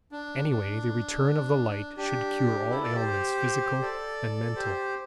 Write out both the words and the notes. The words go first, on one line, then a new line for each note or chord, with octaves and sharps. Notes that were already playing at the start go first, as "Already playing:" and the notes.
Anyway the return of the light should cure all ailments physical and mental.
D4
D4
D4 G4
E4 A4
A4 D5
G4 C5
A4 D5
G4 C5